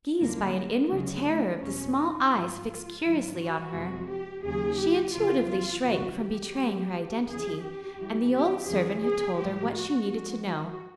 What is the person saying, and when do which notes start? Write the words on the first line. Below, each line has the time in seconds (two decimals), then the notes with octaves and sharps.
Seized by an inward terror of the small eyes fixed curiously on her, she intuitively shrank from betraying her identity, and the old servant had told her what she needed to know.
0.19 F2 D3 G3 A#3
0.55 G#3
0.90 D2 C#3 F#3 G#3
1.25 A3
1.60 E2 B2 F#3 C#4
1.96 D#4
2.31 G#2 F3 G#3 F4
3.02 G#2 D#3 F#3
3.38 F#4
3.72 F2 C3 F3 G#3
4.07 G4
4.43 D#2 C#3 F#3 G#4
4.79 G4
5.13 E2 C#3 F3 F4
5.48 F4
5.84 E2 C#3 E3 G3 F#4
6.20 G4
6.55 A2 F3 G#3
7.26 F2 C#3 E3 G#4
7.61 G4
7.97 G2 E3 G3
8.32 G4
8.67 F2 C#3 E3 G#4
9.02 G#4
9.37 A2 F3 G#3 G4
9.73 F#4
10.08 G#2 F3 G#3 F#4
10.44 F#4